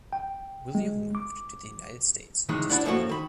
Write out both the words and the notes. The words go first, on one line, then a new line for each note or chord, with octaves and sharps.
William moved to the United States to study.
G5
G#3
D6
C#2 D#3 E3 G#3
D4 E4 D5 F#5
F#2 A2 F3 A3 A#3 F#4
D#3 B5